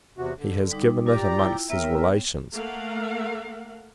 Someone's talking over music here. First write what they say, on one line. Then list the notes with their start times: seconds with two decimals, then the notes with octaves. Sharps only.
He has given it amongst his relations.
0.18 E2 C3 F#4
0.38 D3
0.71 G3 D#4 D6
1.07 F4 G4 D5 A#5
1.39 E4 F4 G5
1.70 B3 A#4 C#5 E5 G5
2.54 A3 A#3 A4 A#4 F5 F#5